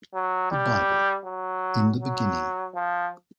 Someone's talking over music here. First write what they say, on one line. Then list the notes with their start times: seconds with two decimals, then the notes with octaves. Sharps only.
The Bible: In the Beginning...
0.14 F#3
0.51 G3
1.26 F#3
2.00 F#3
2.75 F3